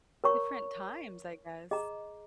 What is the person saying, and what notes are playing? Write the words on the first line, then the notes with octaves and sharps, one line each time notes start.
Different times, I guess.
A#4 C#5 A#5 C#6
G#4 D#5 A#5